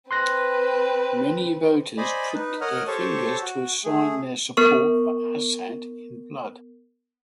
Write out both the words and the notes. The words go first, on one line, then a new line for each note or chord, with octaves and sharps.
Many voters pricked their fingers to sign their support for Assad in blood.
C4 B4 C6 F#6 A#6
C5 D5 D#5 G#5 B5
D#4 B4
A#4 C#5 D#5 F#5 D#6 F6
G4 A4 C5 C#5 A5 C#6
F#4
A3 G#4
B3 A#4 C#6